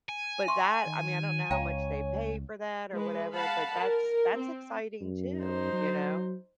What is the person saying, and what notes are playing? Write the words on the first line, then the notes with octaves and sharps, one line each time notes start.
but that I mean, I don't know how much they pay for that or whatever, but that's that's exciting too, you know.
G#5
E5 C6 C#6
D#3
C#2 C#5 F5 G5 A#5
G#3 B4
F5 F#5 A5 B5
A#4
C4
F#2
D#4 C5
F#3